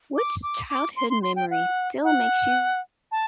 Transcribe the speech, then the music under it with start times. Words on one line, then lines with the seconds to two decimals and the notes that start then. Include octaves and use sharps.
Which childhood memory still makes you
0.17 D6
0.43 D6
0.70 D6
0.96 C6
1.10 C6
1.23 C6
1.36 G5
1.51 F#5
2.04 F#5
3.12 A5